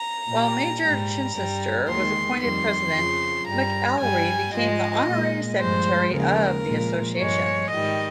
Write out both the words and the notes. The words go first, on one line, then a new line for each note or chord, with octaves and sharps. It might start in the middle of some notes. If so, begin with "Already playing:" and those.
While Major Chichester was appointed president, McAlery became the honorary secretary of the association.
Already playing: A#5
A#2 G3
G#2 G3 A#5
G2 G3
D#2 D#3 G#3 C6
F2 D#3 G3 C6
F2 C#3 F3
G2 G3 A#5
G2 G3 G#5
G#2 F3 G#3 D#5
A#2 G#3
G2 F3 G#3 C5
D#2 C#3 F3 G#3 A#4
A#2 F3 G#3
G2 F3 G#3 C#5
G#2 D#3 G3 D#5